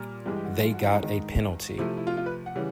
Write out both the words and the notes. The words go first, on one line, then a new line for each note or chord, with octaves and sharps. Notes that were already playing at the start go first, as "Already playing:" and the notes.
They got a penalty.
Already playing: A#2 G3 A#3
G2 E3 G#3 G4
G4
F#4
F4
F#4
E4
D#4
G#2 D#3 G#3
C3 F3 A3 E4
E4
F4
F4
B4
F#5
C#3 E3 G3